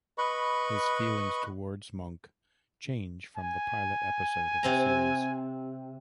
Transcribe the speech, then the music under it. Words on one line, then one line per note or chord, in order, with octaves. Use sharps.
His feelings towards Monk change from the pilot episode of the series.
B4 D#5 B5 C#6
G#5
C3 C4 A#5